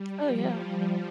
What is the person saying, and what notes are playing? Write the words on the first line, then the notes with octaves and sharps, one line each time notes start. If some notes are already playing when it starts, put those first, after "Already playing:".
Oh, yeah.
Already playing: G3
F3